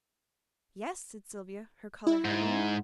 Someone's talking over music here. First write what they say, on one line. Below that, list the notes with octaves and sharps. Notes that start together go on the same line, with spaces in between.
'Yes!' said Sylvia, her colour heightening.
E4
G#2